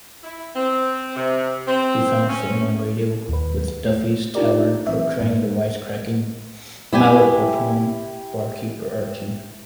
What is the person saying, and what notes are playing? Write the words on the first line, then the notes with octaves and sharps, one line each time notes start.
He found fame on radio with "Duffy's Tavern", portraying the wisecracking, malaprop-prone barkeeper Archie.
E4
C4
C3
C4
C#4
D#2 B4
A3
D4 D#4 F4 G4 A#4 D5
E3 C4 E5
G#2
E4 G4 G#5